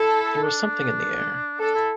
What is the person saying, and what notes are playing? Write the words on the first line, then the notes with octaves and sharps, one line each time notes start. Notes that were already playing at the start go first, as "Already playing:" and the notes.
There was something in the air.
Already playing: E4 A4
D4
D4 A4
E4